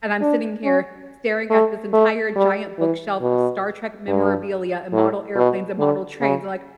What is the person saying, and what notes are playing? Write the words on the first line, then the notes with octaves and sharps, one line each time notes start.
and I'm sitting here staring at this entire giant bookshelf of Star Trek memorabilia and model airplanes and model trains like,
D4
C#4
A3
A3
G3
E3
B2
G2
A2
B2
D3
C#3